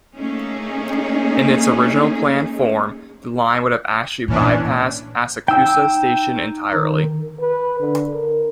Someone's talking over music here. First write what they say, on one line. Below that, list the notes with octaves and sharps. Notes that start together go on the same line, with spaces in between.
In its original plan form, the line would have actually bypassed Asakusa Station entirely.
A3 A#3 C#4 D#4 G#4
A#2 E3 C#4 D4
D#4 G5 E6
D#3
B4
D3
A#4